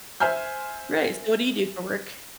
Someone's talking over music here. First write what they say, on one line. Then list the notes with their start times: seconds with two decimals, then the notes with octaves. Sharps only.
Right, so what do you do for work?
0.20 C5 E5 G#5 F6 G6